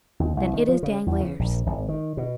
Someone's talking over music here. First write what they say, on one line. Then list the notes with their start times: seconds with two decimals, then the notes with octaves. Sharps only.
"Then it is Danglars."
0.20 D#2
0.37 C2
0.53 D#3
0.69 F3
0.83 C#3
1.06 E2
1.20 C#3
1.39 A#1
1.66 G#1
1.88 D#3
2.17 B2